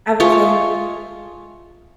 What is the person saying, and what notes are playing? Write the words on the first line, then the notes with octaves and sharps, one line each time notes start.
I would say
F4 G#4 C#5 E5